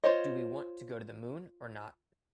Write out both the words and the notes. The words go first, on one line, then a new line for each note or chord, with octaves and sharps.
Do we want to go to the Moon or not?
F4 C5 C#5 D#5